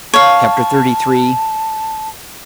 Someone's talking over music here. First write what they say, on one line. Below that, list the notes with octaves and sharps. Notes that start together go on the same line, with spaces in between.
Chapter XXXIII.
C#5 F5 A5